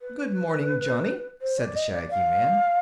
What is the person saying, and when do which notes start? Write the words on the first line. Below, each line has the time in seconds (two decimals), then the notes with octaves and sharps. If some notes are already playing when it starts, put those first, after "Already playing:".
"Good morning, Johnny," said the shaggy man.
0.02 B4
1.41 C5
1.59 D5
1.76 D#5
1.93 D5
2.11 F5